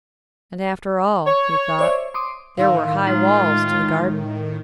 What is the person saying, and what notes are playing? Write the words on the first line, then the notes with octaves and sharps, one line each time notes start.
And after all, he thought, there were high walls to the garden.
C#5
C5 D5 E5
C6 D6 D#6
A2 D#3 F5 C6 E6
G#3 D#4 F4